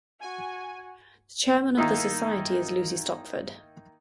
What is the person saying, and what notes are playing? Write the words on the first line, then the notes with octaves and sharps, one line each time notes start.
The chairman of the society is Lucy Stopford.
F#4 G#5
D#3 A#3 D#4 E4